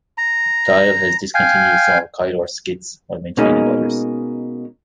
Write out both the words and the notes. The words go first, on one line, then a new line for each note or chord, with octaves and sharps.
Thile has discontinued some of Keillor's skits, while maintaining others.
A#5
F5 G5 G#5
B2 G#3 A#3 C#4 D#4